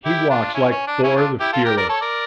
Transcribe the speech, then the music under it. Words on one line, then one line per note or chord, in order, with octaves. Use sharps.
"He walks like Thor the Fearless."
E4 G4
D4 F4
C#4 E4
C#4
D4
C#4 E4
D4 F4
E4 G4
F4 A4
G4 A#4
A#4 D5
A4 C#5
A#4 D5